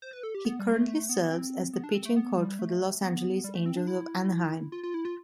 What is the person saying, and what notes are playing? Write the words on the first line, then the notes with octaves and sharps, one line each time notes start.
He currently serves as the pitching coach for the Los Angeles Angels of Anaheim.
C5
B4
A4
G4
B3
G3
A3
A3
B3
C4
B3
D4
C4
A3
B3
G3
A3
B3
G3
A3
C4
D4
E4
F4
F4
E4
F4